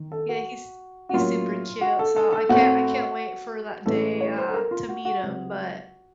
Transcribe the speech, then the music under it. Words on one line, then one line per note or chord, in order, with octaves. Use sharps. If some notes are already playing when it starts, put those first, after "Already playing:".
Yeah, he's he's super cute, so, I can't I can't wait for that day, uh, to meet him, but,
Already playing: D#3
A4
F#4
F#4
A2 F#3 A#3 C#4 F4
F#4
A4
A4
A4
A2 A3 C4 F#4
A1 A2 A3 C#4 A4
C#5
C5
A4
A#4
F4
F#4
F#4
C#2 C3 F#3 F#4